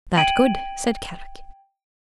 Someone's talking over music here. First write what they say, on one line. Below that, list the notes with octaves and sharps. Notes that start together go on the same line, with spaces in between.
"That good," said Kadok.
G5 G#6 D7 D#7 F#7